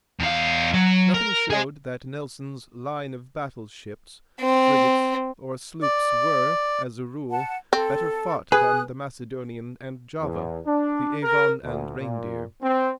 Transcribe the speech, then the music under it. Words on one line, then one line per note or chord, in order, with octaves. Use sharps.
Nothing showed that Nelson's line-of-battle ships, frigates, or sloops were, as a rule, better fought than the Macedonian and Java, the Avon and Reindeer.
E2 F5
F#3
A#4
G#4 D#5
C4
D5
F#5 A5
C4 A4
G#4 B4 D#6 F#6
E2
D4
A#4
D2
A#2
C4